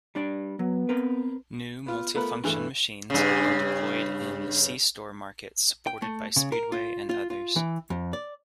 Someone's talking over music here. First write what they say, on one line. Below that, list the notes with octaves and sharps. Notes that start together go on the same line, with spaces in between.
New multi-function machines have been deployed in "c-store" markets supported by Speedway and others.
G3 D4 D5
F#3 B3
C4 A#4 B4
B3 F4
A3 B3 F4 A#4 B4
G2 E3 A3
G2 C#3
G5
A3
C#3
A#4
F4
F4
F4
E3
F2
D5